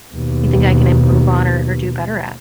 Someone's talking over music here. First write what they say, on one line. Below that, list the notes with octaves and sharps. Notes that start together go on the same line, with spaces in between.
you think I can improve on or or do better at?"
D#2 B2